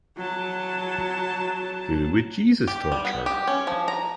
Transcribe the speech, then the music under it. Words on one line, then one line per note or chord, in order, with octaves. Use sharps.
Who Would Jesus Torture?
F#3 A5
G4
G3
B3
G4
C#4
F3
A#5